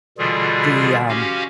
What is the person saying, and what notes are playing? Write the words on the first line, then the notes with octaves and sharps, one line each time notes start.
the, um
B2 D3 E3 G3 F4 G#4
C#4 F#4 G4 F5